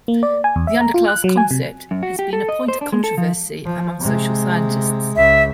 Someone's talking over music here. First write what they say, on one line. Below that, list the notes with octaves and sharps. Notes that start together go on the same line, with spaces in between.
The underclass concept has been a point of controversy among social scientists.
A#3
D5
G#5
E2
E5
A#5
F4
F#6
F#3
G#5
C3
F#2
F#4
G4
A4
D#5
C5
D4
G#3
A4
F3
F3
C3 G#3
C#2 E5